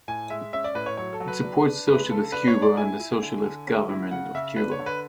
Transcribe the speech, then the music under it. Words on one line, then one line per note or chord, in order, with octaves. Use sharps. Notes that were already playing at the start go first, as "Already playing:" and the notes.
It supports socialist Cuba and the socialist government of Cuba.
A2 G#5
G#3 E5
C#4 E5
D5
A2 B4
C#5
F#3 C#5
A4
F#3
B4
D4
D4
G#3 B4
C#3 A4
D4 B4
C#5
D4
D5
E4 G#5
E4
D3
D3
C#4
E4
C#3 F#5
C#3 E5
D4 B4
C#5
D3
B4